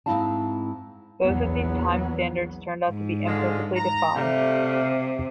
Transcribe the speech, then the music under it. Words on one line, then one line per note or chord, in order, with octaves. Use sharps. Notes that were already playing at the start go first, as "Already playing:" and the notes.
Both of these time standards turned out to be imperfectly defined.
G#2 A3 C4 E4 F5 A5
A#1 E2 F#3 B3
G#2
D3 G#3 F4
A#5
C3 G3 A3 F5